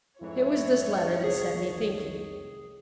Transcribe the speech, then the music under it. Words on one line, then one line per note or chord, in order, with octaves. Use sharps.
It was this letter that set me thinking.
F2 G#2 E3 E4 C#5
C2 F2 D#3 G#4